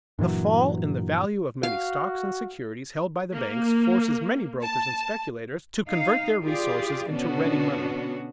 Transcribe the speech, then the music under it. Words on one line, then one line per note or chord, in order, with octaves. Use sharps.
The fall in the value of many stocks and securities held by the banks forces many brokers and speculators to convert their resources into ready money.
G2 A#2 E3 F#3
F#4 F5
A#3
A5
D#4 F5
F4 G4 G#4 D5
B2 D3 B3 C#4 D4 F#4